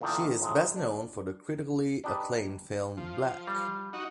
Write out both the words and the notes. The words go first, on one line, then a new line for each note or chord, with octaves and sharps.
She is best known for the critically acclaimed film "Black".
E2 A#2 D3 D#3 G5 A5
A#1 A2 F#3 G#3
D4
D4 D#4 G4 B4
F3
G3
D#4 F#4